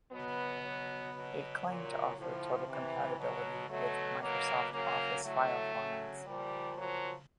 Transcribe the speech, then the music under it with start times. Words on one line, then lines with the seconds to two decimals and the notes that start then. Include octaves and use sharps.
It claimed to offer total compatibility with Microsoft Office file formats.
0.12 B2 F#3 B3
0.63 B2 F#3
1.14 B2 F#3
1.65 A#2 F#3
2.16 A2 F3
2.67 C3 E3
3.18 B2 F#3
3.70 B2 F#3 A3
4.20 B2 F#3 A#3
4.71 C#3 F#3 A#3
5.23 A2 F#3 A3
5.74 C#3 F#3
6.25 A#2 F3 G3
6.76 A#2 F3 F#3